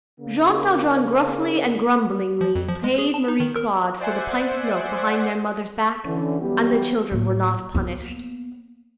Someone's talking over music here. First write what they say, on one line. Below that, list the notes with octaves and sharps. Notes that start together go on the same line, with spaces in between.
Jean Valjean gruffly and grumblingly paid Marie-Claude for the pint of milk behind their mother's back, and the children were not punished.
C#3 A#3
F3
F2
F3
G#3
G#4
A5
D#4
D#3
A#4
C5 D5 E5 F#5 G#5
D3 E3 C#4
E3 F#3 G3 B3 G4
A2 A#3
A#3 B3